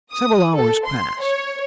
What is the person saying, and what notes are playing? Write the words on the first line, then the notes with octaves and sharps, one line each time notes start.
Several hours passed.
D#6
A4
C6
C#5